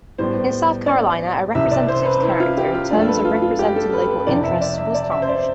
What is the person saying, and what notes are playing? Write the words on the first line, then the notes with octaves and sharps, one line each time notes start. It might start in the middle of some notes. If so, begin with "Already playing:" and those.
In South Carolina, a representative's character in terms of representing local interests was tarnished.
A2 G3 B3 C5
D5
C2 C3 E3 E5
D5
C5
B4
E4
F4
G4
F4
G2 F3 A3 D4
A4
B4
F4
F4
G4
A4
B4
B4
F2 C3 E3 D5
E5
D5
E5
D5
E5
C5
D5